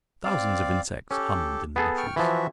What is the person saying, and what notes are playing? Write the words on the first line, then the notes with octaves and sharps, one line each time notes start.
Thousands of insects hummed in the bushes.
C4 D5 F5
C#4 G4 A4
B3 G#4 A4
G5 C#6 F6
E3 F3 F#4 E5